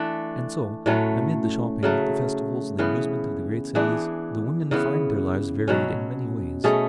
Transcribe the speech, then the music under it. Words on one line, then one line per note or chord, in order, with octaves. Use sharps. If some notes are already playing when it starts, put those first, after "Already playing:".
And so, amid the shopping, the festivals, the amusements of the great cities, the women find their lives varied in many ways.
Already playing: E3 A3 D4 A4
A2 F#3 A3 C#4
C#3 F#3 A3
C#3 E3 B3
E3 B3 D4 G#4
C#3 E3 B3
B2 F#3 C#4
B2 A3 C#4 G#4